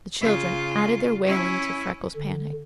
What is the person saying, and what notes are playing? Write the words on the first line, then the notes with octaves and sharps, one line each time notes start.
The children added their wailing to Freckles' panic.
C#3 F4
C#4 E4
D3